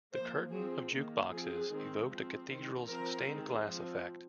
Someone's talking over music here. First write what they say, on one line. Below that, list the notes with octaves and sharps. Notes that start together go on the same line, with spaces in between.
The curtain of juke boxes evoked a cathedral's stained glass effect.
F3 A#3 C5
F3 C4 G#4
D#3 A#3
F3 C4 G#4
D#3 G#3 C4
F3 C4
D#3 C4
F3 C4 A#4
D#3 G#3 C4
F3 C4